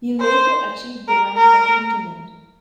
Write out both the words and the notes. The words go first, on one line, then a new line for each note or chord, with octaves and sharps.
He later achieved the rank of lieutenant.
C5
A#4
A#4